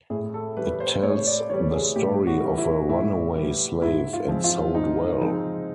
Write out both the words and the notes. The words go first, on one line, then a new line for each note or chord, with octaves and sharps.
It tells the story of a runaway slave, and sold well.
A2 G#4
A4
E3 G3 B4
C5
A2 C#5
D5
E3 G3 C#5
G#4
A2 G4
F#4
E3 G3
E4
A2 E4
E3 G3
G#2 E4
F4
F3 G#3 C4
F4
G#2 D#4
F3 G#3 C4 D#4